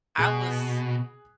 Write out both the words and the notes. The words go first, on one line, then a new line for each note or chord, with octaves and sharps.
I was,
B2 G#4 F#6